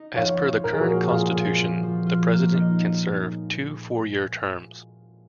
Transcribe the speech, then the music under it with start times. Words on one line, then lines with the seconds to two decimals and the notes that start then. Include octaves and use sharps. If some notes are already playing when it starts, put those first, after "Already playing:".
As per the current Constitution, the President can serve two four-year terms.
Already playing: D#4
0.16 F3 C#5 F5
0.40 F3
0.64 A#2 A#4
0.73 G#4
0.80 F#4 A#4
0.88 A#3
1.11 A#2 F4 G#4
1.36 A#2
1.59 F3
1.83 F3
2.06 F4
2.30 A#3
2.54 D#4